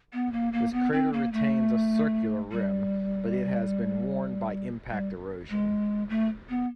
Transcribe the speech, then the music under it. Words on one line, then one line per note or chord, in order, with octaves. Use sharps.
This crater retains a circular rim, but it has been worn by impact erosion.
B3
A#3
A#3
B3
C4
A#3
A3
G3
G3
G#3
A3
B3